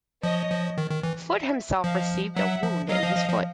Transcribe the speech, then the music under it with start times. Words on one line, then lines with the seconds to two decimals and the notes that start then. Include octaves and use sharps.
Foote himself received a wound in his foot.
0.23 F3 C#5 D#5
0.50 F3
0.78 D#3
0.91 D#3
1.03 E3
1.30 D5 E5
1.83 F3 D#5 F5
2.36 F#3 E5 F#5
2.63 F3
2.89 F#3 D#5 F5
3.03 F3
3.17 F3
3.29 F3